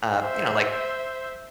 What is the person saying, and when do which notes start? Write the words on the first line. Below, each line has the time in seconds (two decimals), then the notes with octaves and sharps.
uh, you know, like
0.19 C5 E5